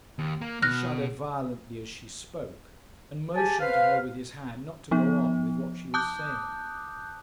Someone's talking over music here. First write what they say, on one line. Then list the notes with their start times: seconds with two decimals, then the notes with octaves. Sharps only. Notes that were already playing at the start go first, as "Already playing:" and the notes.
He shuddered violently as she spoke, and motioned to her with his hand not to go on with what she was saying.
0.19 D#2
0.41 A#3
0.62 B2 F6 F#6 A#6
3.36 G4 G#4 G#5 A5
3.60 B4 C5 F5
4.91 F3 B3 D#4
5.94 A5 D6 D#6 F#6 G6